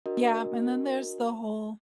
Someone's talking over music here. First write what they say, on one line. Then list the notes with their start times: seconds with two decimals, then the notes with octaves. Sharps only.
Yeah, and then there's the whole
0.06 D4 F#4 A#4 D#5